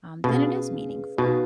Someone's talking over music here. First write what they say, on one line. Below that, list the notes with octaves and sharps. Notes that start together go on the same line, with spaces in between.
then it is meaningful.
B2 C#4 G#4 B4 F5
B2 D#4 F#4 B4 F5